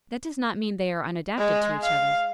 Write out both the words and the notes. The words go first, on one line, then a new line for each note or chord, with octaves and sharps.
That does not mean they are unadapted to each other.
G#3
F5